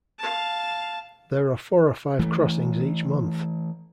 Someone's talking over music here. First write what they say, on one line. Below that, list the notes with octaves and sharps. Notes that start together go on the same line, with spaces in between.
There are four or five crossings each month.
F5 A5
E3 A3